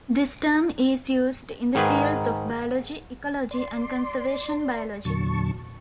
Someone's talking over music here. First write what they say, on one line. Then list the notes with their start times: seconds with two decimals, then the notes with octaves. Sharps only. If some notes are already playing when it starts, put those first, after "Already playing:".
This term is used in the fields of biology, ecology, and conservation biology.
1.75 G#2 D#3 G#4 B4
3.51 D5 C6
5.05 E2 A#2 D3 F#3 A5 C#6